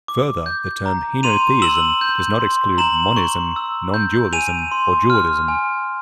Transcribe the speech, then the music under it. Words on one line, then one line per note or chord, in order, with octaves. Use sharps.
Further, the term henotheism does not exclude monism, nondualism or dualism.
D6
G6
A#5
C6 D#7 F7
E6 E7 F#7
G6
C6
A#5 E7 F#7
C#6
E6
G6
G#5 D#7 F7
C6
F6
G#5